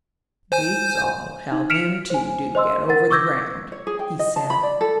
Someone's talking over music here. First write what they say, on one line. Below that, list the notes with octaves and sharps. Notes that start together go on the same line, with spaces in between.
"Beats all how them two do get over the ground," he said.
C5 G#5 G6
D#4
F6 B6 C#7 D7 E7 F7
C5 G#5
C5 D#5 C6 E6
A#4 F#5 A6
C#6 D6 E6 G6 G#6 A#6
C#5
G#4
G5
D#5
A5
B5
D5
A4